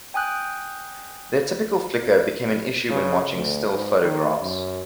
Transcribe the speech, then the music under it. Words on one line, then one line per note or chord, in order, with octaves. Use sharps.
Their typical flicker became an issue when watching still photographs.
G5 G#5 D#6 F#6 G6
C#3
D2
G#2
D#3
F#2